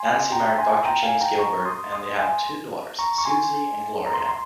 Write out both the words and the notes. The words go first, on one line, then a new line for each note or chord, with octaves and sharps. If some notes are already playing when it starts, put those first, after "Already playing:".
Nancy married Doctor James Gilbert and they had two daughters, Susie and Gloria.
Already playing: G#5 C6
G5 A#5
G#5 C6
G5 A#5
F5 G#5
G5 A#5
A#5 C#6
C6 D#6
C6 D#6
G#5 C6
A#5 C#6
C#6
G#5 C6
A#5
C6
A#5
C6